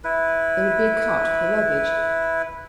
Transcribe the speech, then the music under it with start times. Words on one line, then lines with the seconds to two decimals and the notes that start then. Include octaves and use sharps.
There would be a cart for the luggage.
0.04 E4 B4